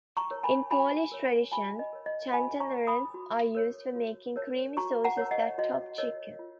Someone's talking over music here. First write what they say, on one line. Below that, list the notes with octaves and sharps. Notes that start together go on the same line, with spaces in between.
In Polish tradition chanterelles are used for making creamy sauces that top chicken.
A#5 C#6
A#4 C#5
G#5 B5
F#4 G#5 B5
A#4 C#5
F#4 G#5 B5
D#5
A#4 C#5
D#5
F#4 G#5 B5
A#5 C#6
A#4 C#5
B5 D#6
F#4
A#4 C#5
F#4
A#4 C#5
F#4 A#5 C#6
F#5 A#5
A#4 C#5
D#5 F#5
F#4 D#5
A#4 C#5 D#5
F4